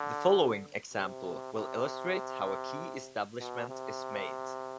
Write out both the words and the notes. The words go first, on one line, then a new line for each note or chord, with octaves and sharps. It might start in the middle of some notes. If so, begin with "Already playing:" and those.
The following example will illustrate how a key establishment is made.
Already playing: D3
C3
C3
B2
C3